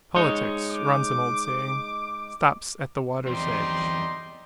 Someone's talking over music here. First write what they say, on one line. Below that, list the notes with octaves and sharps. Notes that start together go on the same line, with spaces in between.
"Politics," runs an old saying, "stops at the water's edge."
G#3 D#4 C#5
D6
E2 G3 C4 D#4 C6